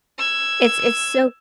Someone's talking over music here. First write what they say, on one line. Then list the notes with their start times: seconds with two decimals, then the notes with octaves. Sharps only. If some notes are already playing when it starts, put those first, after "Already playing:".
it's it's so
0.18 E6 G#6